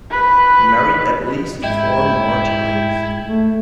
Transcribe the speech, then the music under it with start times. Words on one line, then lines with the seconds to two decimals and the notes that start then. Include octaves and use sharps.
He married at least four more times.
0.11 B4
1.63 G#2 G#3 E4 G5 G#6
3.23 A3